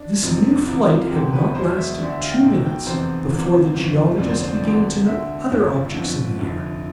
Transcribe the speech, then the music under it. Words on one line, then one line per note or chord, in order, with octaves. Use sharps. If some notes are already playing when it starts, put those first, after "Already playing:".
This new flight had not lasted two minutes before the geologist began to note other objects in the air.
Already playing: D4
F1 F2 C3
C2 C3 E3 E4
E4
E4
F4
E1 D2 C3 E3 G4
B4
E1 E2 B2 C5
E5
D2 D3 D5
E5
F5
G5
B1 B2
G5
F1 E2 C3 E3 C5
C2 C3 E3
G1 F2 E3
F1 F2 D3 D5
C5
C5
D5
E1 D2 C3 E3
D2 D3 E5
G1 G2 D3
G1 F2 D3
F1 F2 D3